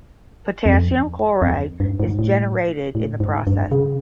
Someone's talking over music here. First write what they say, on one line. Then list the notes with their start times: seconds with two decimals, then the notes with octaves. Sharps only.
Potassium chloride is generated in the process.
0.66 F2
1.42 F2
1.80 G2
2.00 G#2
2.19 A2
2.95 A2
3.20 G#2
3.47 G2
3.72 C#3